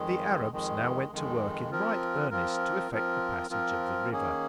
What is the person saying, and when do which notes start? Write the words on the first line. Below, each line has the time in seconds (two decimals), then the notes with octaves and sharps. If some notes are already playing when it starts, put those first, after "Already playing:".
The Arabs now went to work in right earnest to effect the passage of the river.
Already playing: F2 D#3 G#3
0.51 F2 D#3 G#3
1.11 F2 D#3 G#3
1.71 F3 C4 F4 A#4
2.31 F3 C4 F4 A#4
2.91 F3 C4 F4 A#4
3.49 F3 C4 F4 A#4
4.10 D#3 A#3 C#4 G#4